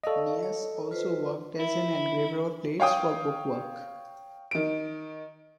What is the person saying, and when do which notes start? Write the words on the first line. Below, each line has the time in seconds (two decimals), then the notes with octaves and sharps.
Kneass also worked as an engraver of plates for bookwork.
0.04 A4 D5 D#5 F5 C#6
0.43 C#5
0.91 F4 B4 C5
1.59 E4
2.80 C#5 F5 G5 D#6
4.51 D#3 D7